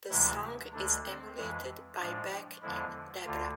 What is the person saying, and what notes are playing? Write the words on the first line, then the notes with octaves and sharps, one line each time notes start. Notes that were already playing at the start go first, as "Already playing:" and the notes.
The song is emulated by Beck in "Debra".
D2 C3 E3 G#3 E4
D2 D3 G#3 D4
C4
F2 E3 G#3
A2 F3 G#3 D4
E2 D3 F3 G#3 E4
D2 D3 F4